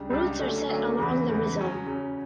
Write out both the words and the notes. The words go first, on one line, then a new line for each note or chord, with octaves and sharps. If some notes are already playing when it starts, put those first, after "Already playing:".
Roots are set along the rhizome.
Already playing: C#2 C#3 G3 D4
C#2 C#3 G3 D4
D3 F#3 A3 C#4
D3 F#3 A3 C#4
E2 C#3 E3
E2 C#3 E3
C#3 F#3 C#4
C#3 F#3 C#4